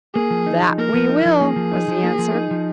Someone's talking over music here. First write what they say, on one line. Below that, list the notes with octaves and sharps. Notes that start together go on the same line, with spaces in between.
"That we will," was the answer.
A#3 G#4
F3
D#4
F3
A#3 A#4
F3
D#4
F3
A#3 G#4
F3
D#4
F3
A#3
F3
D#4
F3